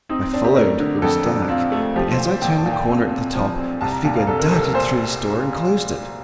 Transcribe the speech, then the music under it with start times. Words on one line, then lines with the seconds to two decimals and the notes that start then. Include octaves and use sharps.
I followed--it was dark--but as I turned the corner at the top a figure darted through this door and closed it.
0.09 C4 D#4
0.21 C4
0.33 C4 D4
0.44 G4
0.56 A3 A#4
0.80 D3
1.02 F2 A4
1.26 F2
1.49 C4 F4
1.72 A3
1.96 F3 G4
2.12 C5
2.18 A#2
2.26 C5
2.42 A#2 G5
2.57 A5
2.66 A#2
2.72 G5
2.88 C4
3.11 C4
3.35 F3
3.58 C4
3.81 C2 A5
3.92 A#5
4.05 A#2 A5
4.16 F5
4.27 C2 A4
4.40 A#4
4.51 C2 A4
4.63 A#4
4.74 A#2 C5